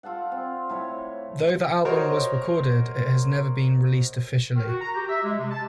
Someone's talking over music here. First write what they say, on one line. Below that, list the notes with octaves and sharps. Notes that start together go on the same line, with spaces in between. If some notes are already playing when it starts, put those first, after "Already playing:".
Though the album was recorded, it has never been released officially.
F4 A4 D5 F#5
C4
A2 E4 C#5
F#4 A#4 C5 C#5 D#5 C6
D#3
F#4
A#5
G4
E5
G#3
C3
A5